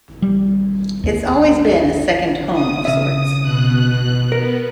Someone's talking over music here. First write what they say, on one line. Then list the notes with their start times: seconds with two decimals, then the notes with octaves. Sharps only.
It's always been a second home of sorts.
0.22 G3
1.04 D#2
2.51 D#6
2.85 C#3 E5 D#6
3.41 B2 F#6
4.32 B3 A#4